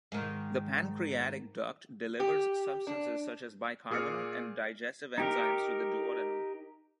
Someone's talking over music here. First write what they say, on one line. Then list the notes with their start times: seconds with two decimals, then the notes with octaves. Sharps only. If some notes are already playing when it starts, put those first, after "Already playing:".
The pancreatic duct delivers substances such as bicarbonate and digestive enzymes to the duodenum.
0.12 G#2 D#3
2.20 G4
2.87 D4
3.90 A#2 G#4 D6 F6 C#7
5.18 D#4 G4 A#4